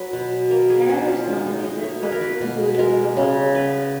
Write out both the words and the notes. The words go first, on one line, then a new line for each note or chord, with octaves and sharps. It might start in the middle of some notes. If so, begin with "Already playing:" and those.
"Hair" was nominated for two Golden Globe Awards.
Already playing: F#3 B4
B2
A#3 A#4
G#4
B2 F#4
F4
F#3 D#4
D#4
B2 D#4
C#5
A#3 B4
A#4
B4
B2
G#3 A#4
C#3
B3 B4